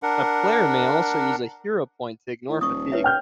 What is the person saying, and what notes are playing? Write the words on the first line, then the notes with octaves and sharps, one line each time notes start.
A player may also use a Hero Point to ignore fatigue.
D4 A#4 F#5
A2
D#1 C#6 D#6
B4 C#5 E5
G5 F6 G6